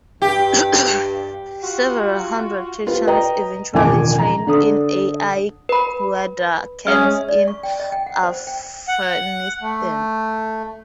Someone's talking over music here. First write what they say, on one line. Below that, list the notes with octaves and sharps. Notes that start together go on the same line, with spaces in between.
Several hundred Chechens eventually trained in Al-Qaida camps in Afghanistan.
G2 G4
F4 F#4
F4 G4 B4
B4 D#5 G5 A#5
E1 A1 D#3 F3 G#5 D6
A#5
D3 A4 D#6
B4 B5
G#3 C#4 G#4 E5 F6
D5
C#6
G5
D#5
G5
F#5
C5
G5
F#5
A3